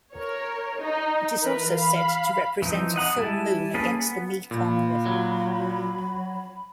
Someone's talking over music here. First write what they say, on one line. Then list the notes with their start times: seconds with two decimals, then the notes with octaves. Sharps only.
It is also said to represent a full moon against the Mekong River.
0.14 A#4 C#5
0.79 D#4
1.42 E3 A#4 B4
1.73 F5 B5
2.62 E3 F3 C4 D#4
2.96 D#5 F#5 A#5 D#6
3.17 G3 E4 G#5 A5
3.74 A#3 C#4 G#4 A4 B4
3.97 B3
4.51 A#2 F4 B5
5.06 F#3